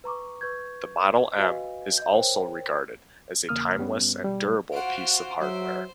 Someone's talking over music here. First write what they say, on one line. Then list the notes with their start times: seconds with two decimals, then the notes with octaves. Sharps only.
The Model M is also regarded as a timeless and durable piece of hardware.
0.04 B4 A#5 C#6 D6
0.41 B4 C#6 G6 G#6
1.38 F#4 B4 D#5 F5 G#5
1.98 D#5 G6
2.11 A#4 C5 C#5 G5
3.49 E2 C#3 A#3 D#6 F6
3.78 G2 G3 B3 C#4
4.24 B2 G3
4.72 F4 F#4 C5 F#5 D7
5.40 F#3 C5 E5